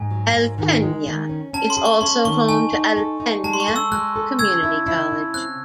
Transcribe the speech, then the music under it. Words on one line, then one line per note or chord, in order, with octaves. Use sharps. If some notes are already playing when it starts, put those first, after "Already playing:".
Alpena is also home to Alpena Community College.
Already playing: G#2 G#5
F#3
G#2
D#3
G#3
D#3
C#4
C#4 A5
C6
G#4
C#6
C#4 C6
D#3 C#6
D#4 G#5
D#4
A4
D#4
G#3 A5
C6
C#6
A4
E6
G#3 F#6
A4
C#3 E6 G#6
E4
E4
C#3
C4 F#6